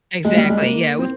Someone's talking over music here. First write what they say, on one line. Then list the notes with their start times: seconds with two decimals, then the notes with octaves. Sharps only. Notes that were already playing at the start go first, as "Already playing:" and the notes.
Exactly. Yeah, it was
0.25 G#3
0.36 G3
0.50 G#3
0.62 A#3
0.99 C4